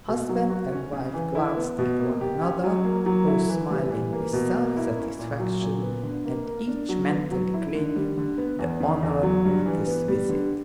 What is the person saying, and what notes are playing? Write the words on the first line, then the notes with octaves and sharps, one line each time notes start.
Husband and wife glanced at one another, both smiling with self-satisfaction, and each mentally claiming the honor of this visit.
B2
F#3
F#4
C#4
C#3
E3
E4
B3
B2
A#3
G4
C#4
F#3
A#3
F#3
E4
E3
G3
E3
A#3
B2
A#3
E4
C#4
A#2
F#3
A#2
B3
D3
A#3
A#4
D4
F#3
B3
F#3
E4
D3
G3
D3
B3
E2
C#3
E2
F#3
G2
E3
B3
G3
D3